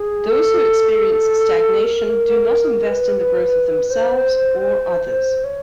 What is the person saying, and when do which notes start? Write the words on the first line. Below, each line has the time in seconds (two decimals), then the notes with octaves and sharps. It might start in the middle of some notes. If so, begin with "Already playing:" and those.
Those who experience stagnation do not invest in the growth of themselves or others.
Already playing: G#4
0.29 A4
1.83 A#4
2.87 B4
3.90 C5
5.44 C#5